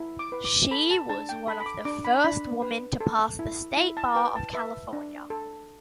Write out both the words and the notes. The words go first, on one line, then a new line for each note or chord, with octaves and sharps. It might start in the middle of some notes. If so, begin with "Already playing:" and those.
She was one of the first woman to pass the State Bar of California.
Already playing: E4
D6
B4
D6
A4 B5
A5
D4 A5
G5
A4 B5
B5
D6
D4 D6
B5
D4 B5
B4
A4
E4
E4
A5
B4 G5
A5
B4 E5
D4
A4